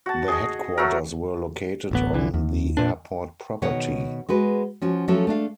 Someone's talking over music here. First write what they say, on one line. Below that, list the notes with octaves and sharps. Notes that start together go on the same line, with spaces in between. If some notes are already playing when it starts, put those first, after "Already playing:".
The headquarters were located on the airport property.
F#4 A5
G#4 D#5
F#3 A3 A#4
D1 A1 B3
C2 D3 E3
D#2
A#2 D4
B2 D#3 C#5 F#5
G#3 F#4 B4
F3 C#4 F#4
F3 F#3 A3 C#4 F#4 A4
A3 D4 F5